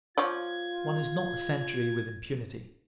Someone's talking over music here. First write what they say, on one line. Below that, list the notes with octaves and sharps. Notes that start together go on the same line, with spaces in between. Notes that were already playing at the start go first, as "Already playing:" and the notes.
One is not a century with impunity.
F3 F4 C#5 D5 G#6